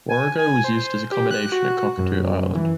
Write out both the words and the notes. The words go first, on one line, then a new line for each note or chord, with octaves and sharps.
"Warrego" was used as accommodation at Cockatoo Island.
G#5
G#5
C5
G4
F#6
F#4
F#2
E3